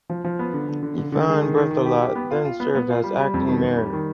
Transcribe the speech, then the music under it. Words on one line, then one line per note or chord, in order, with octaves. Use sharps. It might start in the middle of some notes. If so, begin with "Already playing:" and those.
Yvan Berthelot then served as acting mayor.
F3
F3
B3
D3
D3
D3
D3
D3
G#3
D#3
D#3
D#3
G4
G4
B3
F4
F4
B3
B3
F4
G3
G3
F2
D#3
F2
G3
D#3